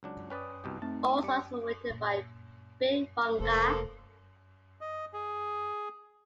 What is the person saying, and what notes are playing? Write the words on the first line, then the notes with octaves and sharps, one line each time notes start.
All songs were written by Bic Runga.
C#2 F#3 D4
C#4 B4 D5 G5 D#6
C2 B2 G4
A3 C4 D#4 A5
G3 D6 C#7
A#2
F1 C3 A#3 A4 C5
D#5
G#4